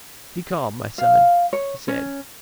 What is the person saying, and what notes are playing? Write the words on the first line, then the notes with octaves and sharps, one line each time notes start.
"Be calm, my son," he said.
F5
C#5
C#4